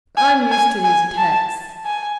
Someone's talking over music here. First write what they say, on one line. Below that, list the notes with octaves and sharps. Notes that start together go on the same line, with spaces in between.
I'm used to these attacks.
G#5
G#5
G#5
A5
G#5